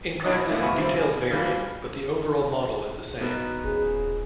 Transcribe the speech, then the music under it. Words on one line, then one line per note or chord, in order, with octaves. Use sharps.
In practice, details vary, but the overall model is the same.
B2 E3 D4 D#5 D#6
F2 A2 A3 B3 D4 E4
E2 B3 F#4 B4 B5 C#6
G3 A#3 C4 D4 E4
G#4
B2 E3 F3 G3 A#3
B2 D#4 B4
D#1 F3 C#4 G#4